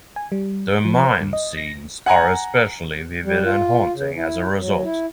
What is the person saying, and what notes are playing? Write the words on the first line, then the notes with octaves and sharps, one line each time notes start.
The mine scenes are especially vivid and haunting as a result.
G#5
G3
F3
C5
G2
D#5
A#6
F#5 G#5 A#5
G3
F4
C#3
E4
F#3
E4